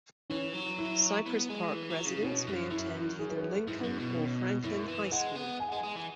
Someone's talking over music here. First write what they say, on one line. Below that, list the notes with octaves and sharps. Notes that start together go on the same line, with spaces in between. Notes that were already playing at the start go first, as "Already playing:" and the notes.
Cypress Park residents may attend either Lincoln or Franklin high school.
E3 C#4
F#3
E4
B3
G#3
E3
F#3
C#3
B2 C#4
F#2
F#2 E4
G#4
B4
G#4
G#2 E4
F#2
B2
C#4
F#2 E4
E3
G#3 F#5
B3
G#5
F#5
G#3
G#5
G#3
E3